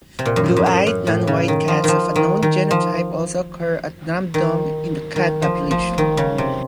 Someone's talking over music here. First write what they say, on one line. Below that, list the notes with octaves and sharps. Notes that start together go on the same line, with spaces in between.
Blue-eyed non-white cats of unknown genotype also occur at random in the cat population.
C3
A#2
F#2
A2
F2
F#2
F#2
A2
C#3
D#3
F3
D#3 F3
D#3
D#3
F3
D#3
D#3
F3
F3
D#3
C#3
C3